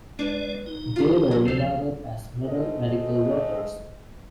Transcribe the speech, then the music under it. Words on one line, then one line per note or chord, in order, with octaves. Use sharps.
They were regarded as "Middle Medical Workers".
G#3 D4 B4 D5
D#4
F4 G4 F5
F#3
D2 C3 F3 C4 A4 C5
G#3 A3 C5 D#5